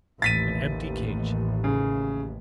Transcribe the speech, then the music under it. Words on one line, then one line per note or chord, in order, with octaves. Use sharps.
An empty cage!
A1 D#2 A6 B6 D#7
C#3